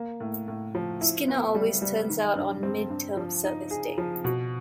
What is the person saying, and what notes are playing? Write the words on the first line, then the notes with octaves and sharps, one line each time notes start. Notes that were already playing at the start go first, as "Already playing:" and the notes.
Skinner always turns out on Mid-Term Service Day.
Already playing: A#3
A2
A2
F3
E4
B3
G3
G3
D#3
G2
C4
G2
F3
D#4
G#4
F3
B2